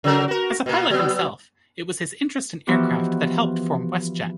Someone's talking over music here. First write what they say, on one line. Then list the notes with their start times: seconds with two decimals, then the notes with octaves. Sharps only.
As a pilot himself, it was his interest in aircraft that helped form WestJet.
0.04 C#3 F#3 A#4
0.28 F#4 A#4
0.66 B2 A#3
0.90 F#3 B3
2.67 E3 F3 B3 D#4 F#4 G4